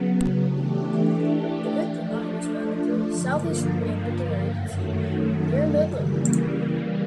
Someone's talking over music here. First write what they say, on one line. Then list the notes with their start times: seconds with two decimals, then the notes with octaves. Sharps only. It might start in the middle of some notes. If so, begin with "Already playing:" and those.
The Victor Mine is found at the southeastern end of the range near Midland.
Already playing: C#3 F#3 B3
0.44 E3 A3 D4 G4
1.79 F3 A3 D4
3.13 G2 D3 F3 A#3
4.47 F#2 D#3 F#3 A3
5.80 C#3 E3 G3 A#3